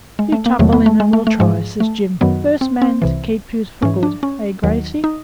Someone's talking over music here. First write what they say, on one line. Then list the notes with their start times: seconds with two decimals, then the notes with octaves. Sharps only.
'You tumble in and we'll try,' says Jim; 'first man to keep you for good--eh, Gracey?
0.19 G#3
0.32 A3
0.46 A#3
0.59 E2 C3 D#3 F#3 A3
0.73 B3
0.86 A3
1.00 G#3
1.13 A3
1.27 A3
1.40 G#2 F3 G#3
1.80 A3
2.21 F#2 D#3 F#3 B3
2.61 C4
2.82 C4
3.02 C2 C3 E3
3.82 G#2 E3 C#4
4.03 D4
4.23 C#4
4.63 D#2 D#3 F#3
5.04 D#4